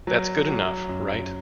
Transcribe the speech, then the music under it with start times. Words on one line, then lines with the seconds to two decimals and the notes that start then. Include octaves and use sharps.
That's good enough, right?
0.07 F#3
0.48 F#3
0.89 F#2